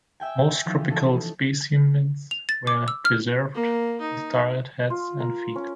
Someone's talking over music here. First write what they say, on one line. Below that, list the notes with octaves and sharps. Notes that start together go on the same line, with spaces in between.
Most tropical specimens were preserved as dried heads and feet.
E5 G5 G#5
E3 F3 C#4 D#4
A4
F7
A6
D6
E6
F6
A#3
D#4
F4
A#4
C#4